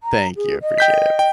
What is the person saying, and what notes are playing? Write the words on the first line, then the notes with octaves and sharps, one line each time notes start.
Thank you. I appreciate it.
A#5
G#4
D#5
G5 G6 B6
G5